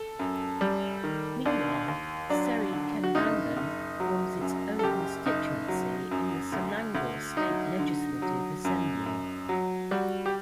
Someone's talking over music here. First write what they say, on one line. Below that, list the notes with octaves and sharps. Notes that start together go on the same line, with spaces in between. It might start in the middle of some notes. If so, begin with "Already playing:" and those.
Meanwhile, Seri Kembangan forms its own constituency in the Selangor State Legislative Assembly.
Already playing: A4
F#2
G3
D#3
D#2 D4
D#2
F#3 D4
D3
F#4
F#1 D#4
F#1
F#3
F#2
A4
F#1 G4
F#1 D#4
F#3
F#2
D2
D2
F#3 D#4
D3
F#3
F#2
F#2
F#3
G3 F#4
G4